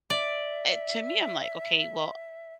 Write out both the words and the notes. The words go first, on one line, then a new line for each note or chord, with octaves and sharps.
eh, to me, I'm like, "Okay, well"
D5 E5